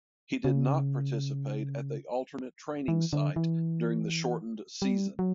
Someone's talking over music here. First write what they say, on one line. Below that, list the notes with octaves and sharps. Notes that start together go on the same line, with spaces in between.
He did not participate at the alternate training site during the shortened season.
C#3
E3
D3
E3
G3
F#3